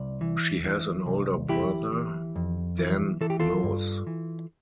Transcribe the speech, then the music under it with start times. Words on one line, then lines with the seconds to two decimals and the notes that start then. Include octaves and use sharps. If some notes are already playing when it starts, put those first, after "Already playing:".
She has an older brother, Dan Moos.
Already playing: C2 D5
0.21 E3
0.64 E3
1.06 C2
1.49 E3 E4 G4
1.92 E3
2.36 F2
2.78 E3
3.21 E3 A4
3.30 G4
3.40 F4 A4
3.63 G2
4.07 E3